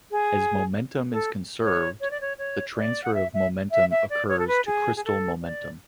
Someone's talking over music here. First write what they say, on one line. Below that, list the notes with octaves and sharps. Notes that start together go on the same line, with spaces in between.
As momentum is conserved, the transfer of momentum occurs to crystal momentum.
G#4
A4
C#5
C#5
D5
C#5
C#5
D5
F#5
E5
E5
E5
E5
D5
C#5
A4
B4
G#4
G#4
A4
D5